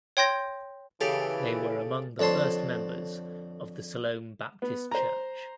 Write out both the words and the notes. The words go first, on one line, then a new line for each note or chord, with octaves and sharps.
They were among the first members of the Siloam Baptist Church.
C#5 G5 C6 G6 A#6
C#3 E3 G4 A4 F5
F2 D3 C#5 A5 C6
B3
C5 A#5